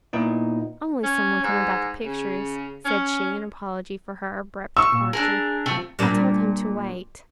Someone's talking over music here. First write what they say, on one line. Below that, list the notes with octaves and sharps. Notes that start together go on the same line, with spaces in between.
'Only some one come about the pictures,' said she, in apology for her abrupt departure: 'I told him to wait.'
A#2 B3 D#4 E4
C#4
G#2
C#3
C#4
C#6 E6
A#2
D4 G#4 A#4
C3 F3 A3
A#2 G3 D4